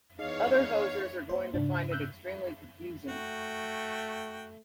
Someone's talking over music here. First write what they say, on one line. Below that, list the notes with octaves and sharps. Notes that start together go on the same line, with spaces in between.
Other hosers are going to find it extremely confusing.
E2 D#4 G#4 C#5 D#5 F5
A#3 C5
G#2 C#3 D4
E6 F#6 G6
A3 F#4 G5